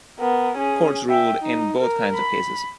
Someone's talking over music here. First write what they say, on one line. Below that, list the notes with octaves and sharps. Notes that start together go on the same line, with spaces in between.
Courts ruled in both kinds of cases.
B3 A#4
C#4 G#4
E5 G5
D#4
A#4
B5